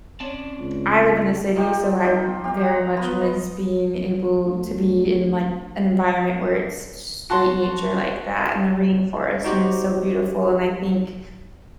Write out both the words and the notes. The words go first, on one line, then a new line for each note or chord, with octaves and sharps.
I live in the city, so I'm very much miss being able to be in, like, an environment where it's straight nature like that in the rainforest, and it was so beautiful, and I think
C4 C#4 C#5 D5 A5
C#2
D#4 F4 G4 G5
A#3 C4 D#4 C5
G4 C5 F5
F#5 A#5
B3 F4 A#4 B4
D#5
D2
F#4 A5 C6
D#4 F#4 G4 C5